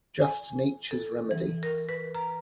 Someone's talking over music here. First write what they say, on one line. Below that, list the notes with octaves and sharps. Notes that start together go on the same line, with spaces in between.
Just Nature's remedy.
G#5
A4
E3
A#4
B4
A#5